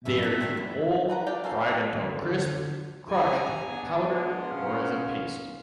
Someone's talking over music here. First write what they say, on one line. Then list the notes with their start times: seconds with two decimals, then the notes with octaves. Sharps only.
They are eaten whole, fried until crisp, crushed, powdered or as a paste.
0.05 F#2 A2 G3 E5
0.23 D3 D4
0.40 C3 D#3 C4
0.57 E4
1.08 E3 B4 F#5 A#5
1.27 G4 D5 F5 G5
1.44 A#3 C#4 A4 F5
1.66 D4 C#5
2.04 D3
3.10 E4 G4 G#5 A#5
3.65 G#3 B3 D4 G#4
4.10 A#4 C6
4.50 B2 C#4 F5